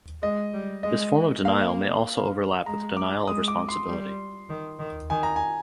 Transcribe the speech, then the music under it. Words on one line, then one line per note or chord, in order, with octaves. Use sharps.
This form of denial may also overlap with denial of responsibility.
G#3 D#5
G3
G#3 D#5
A#3 F5
G#3 A#5
D6
G#3 D#6
D6
C6
G3
D#3
D#3
D#3 G#5
A#5
G#5